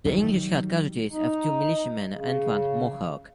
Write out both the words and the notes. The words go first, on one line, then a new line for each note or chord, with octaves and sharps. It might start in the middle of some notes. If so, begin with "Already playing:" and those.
The English had casualties of two militiamen and one Mohawk.
D#3 F#3 G3
D#4
C#3